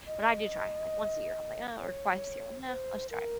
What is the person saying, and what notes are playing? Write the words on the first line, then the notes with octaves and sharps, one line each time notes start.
But I do try, like once a year, I'm like uh, or twice a year, I'm "Eh, let's try it."
D#5
C#5
C5
A#4